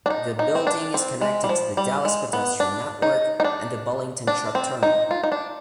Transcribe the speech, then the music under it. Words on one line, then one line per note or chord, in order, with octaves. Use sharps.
The building is connected to the Dallas Pedestrian Network and the Bullington Truck Terminal.
D4
D#4
D#4
C4
D4
C4
G#3
G3
F3
G3
G#3
B3
D4
D#4
D#4
D4
D4
C4
D#4
F4
D#4
D4